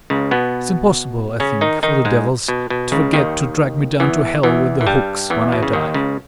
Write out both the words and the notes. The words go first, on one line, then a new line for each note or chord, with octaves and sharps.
It's impossible, I think, for the devils to forget to drag me down to hell with their hooks when I die.
C#2 C#3
B2 B3
C#3 C#4
D#3 D#4
D#3 D#4
G#2 G#3
B2
B2
C#2 C#3
D#2 D#3
E2 E3
E2 E3
E3
G2 G3
E2 E3
B2
C#3
D#2 D#3
C#2 C#3